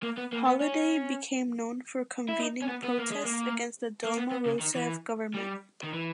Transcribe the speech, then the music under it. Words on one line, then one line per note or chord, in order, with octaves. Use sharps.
Holiday became known for convening protests against the Dilma Rousseff government.
A#3
B3
A#3
B3
C#4
E4
D#4
C#4
B3
B3
A#3
G#3
A#3
A#3
B3
B3
C#3
D#3
E3
G3
D#3
E3